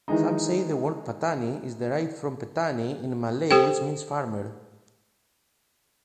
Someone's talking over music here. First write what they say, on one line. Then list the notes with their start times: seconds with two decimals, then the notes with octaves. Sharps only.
Some say the word Pattani is derived from "Petani" in Malay which means "farmer".
0.08 D#3 E3 G#3 D#4
3.51 G4 A4 C5 G5